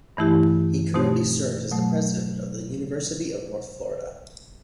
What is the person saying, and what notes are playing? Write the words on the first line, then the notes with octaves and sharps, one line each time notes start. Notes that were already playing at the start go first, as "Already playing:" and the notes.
He currently serves as the president of the University of North Florida.
G2 E3 A3 E4 G4
B2 A3 C4 D#4 G4
B2 F#3 A3